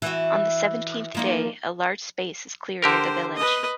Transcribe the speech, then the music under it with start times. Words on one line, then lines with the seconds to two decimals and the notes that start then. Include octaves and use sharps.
On the seventeenth day a large space is clear near the village.
0.02 E3 F#4
1.15 F3 A#3 D#4
2.82 D3 G4 A#4 C5
3.36 B4 D#5